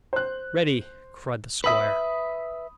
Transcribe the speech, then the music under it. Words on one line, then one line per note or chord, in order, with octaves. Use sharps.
"Ready!" cried the squire.
C5 F#6
B4 E5 B5 D#6 F#7